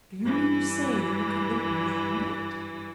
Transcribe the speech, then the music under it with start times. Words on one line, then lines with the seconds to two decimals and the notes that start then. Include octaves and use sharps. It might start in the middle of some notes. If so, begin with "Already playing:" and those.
"Do you mean to say that you can look beyond it?"
0.21 G2 E3